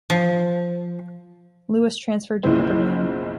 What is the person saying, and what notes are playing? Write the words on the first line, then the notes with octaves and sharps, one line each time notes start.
Lewis transferred to Pepperdine.
F3
F#1 B1 C#3 F3 E4 C5